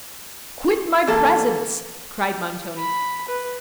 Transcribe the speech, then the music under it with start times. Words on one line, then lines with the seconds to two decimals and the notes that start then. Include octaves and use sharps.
'Quit my presence!' cried Montoni.
1.07 E3 A#3 A4
2.77 B5
3.28 B4